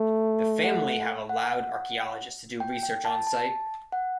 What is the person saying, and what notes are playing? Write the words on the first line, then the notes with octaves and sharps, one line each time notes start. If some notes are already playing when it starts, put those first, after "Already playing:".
The family have allowed archaeologists to do research on site.
Already playing: A3
F#5
F#5
G5
G5
A5
A5
F#5